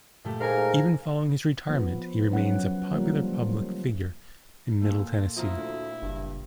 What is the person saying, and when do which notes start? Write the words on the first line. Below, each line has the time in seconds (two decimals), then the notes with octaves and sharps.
Even following his retirement, he remains a popular public figure in Middle Tennessee.
0.25 A#2 A3 G4
0.40 G#2 A#4 F5 G#5
1.68 F3 B3
2.31 F#3 C#4 F#5
2.93 D3 F3 G3 A3 A#3 A#4
4.81 A#2 A3
5.37 F3 E4 F4 A#5 D#6
5.57 D2
6.02 F#1 G2